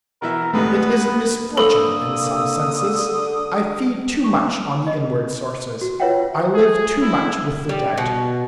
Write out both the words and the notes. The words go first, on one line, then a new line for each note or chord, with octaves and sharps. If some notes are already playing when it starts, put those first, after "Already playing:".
It is a misfortune, in some senses: I feed too much on the inward sources; I live too much with the dead.
B2 E3 A#4 E5
D2 G#2 C3 A3 B3 B4
D3 A#3 A4 B5 D#6 E6 F#7
C#6
D#5
F#4
F4 B4 C#5 E5 F#5 G5
G#4
E4
G3
B2